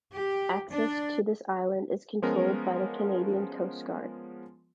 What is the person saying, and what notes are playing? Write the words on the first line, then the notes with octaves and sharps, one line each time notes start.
Access to this island is controlled by the Canadian Coast Guard.
G4
D4
F3 G#3 B3 C#4 F4 A#4